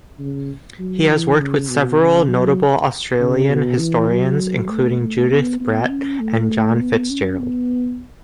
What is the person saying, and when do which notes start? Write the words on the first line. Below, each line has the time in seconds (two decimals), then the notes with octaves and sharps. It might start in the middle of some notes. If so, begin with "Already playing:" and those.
He has worked with several notable Australian historians including Judith Brett and John Fitzgerald.
0.19 C#3
0.79 F#3
1.10 E3
1.39 C#3
1.70 B2
1.99 C#3
2.29 F#3
3.20 C#3
3.50 B2
3.79 E3
4.10 F#3
4.70 A3
5.00 A3
5.30 B3
5.60 B3
5.90 C#4
6.20 A3
6.80 B3
7.10 C#4
7.40 B3